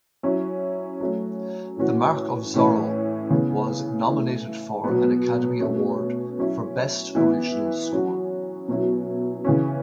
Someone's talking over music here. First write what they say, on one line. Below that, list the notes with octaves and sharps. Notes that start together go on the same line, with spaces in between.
"The Mark of Zorro" was nominated for an Academy Award for Best original score.
F#3 C#4 E4
F#3 A3 C#4
A2 E3 C#4 F#4
A2 E3 C#4 E4
C#3 E3 B3
E3 A3 E4
B2 F#3 B3
B2 A3 C#4
F#3 C#4 E4
E3 B3 E4
F#3 C#4 F#4
B2 F#3 C#4 E4
C#3 E3 C#4